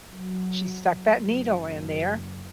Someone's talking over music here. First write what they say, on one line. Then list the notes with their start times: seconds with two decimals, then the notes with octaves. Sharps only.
she stuck that needle in there.
0.10 F#3
1.20 F#1